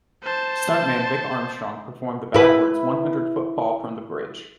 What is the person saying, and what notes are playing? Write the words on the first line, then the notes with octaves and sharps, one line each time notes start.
Stuntman Vic Armstrong performed the backwards one-hundred-foot fall from the bridge.
C5 A5
E4 B4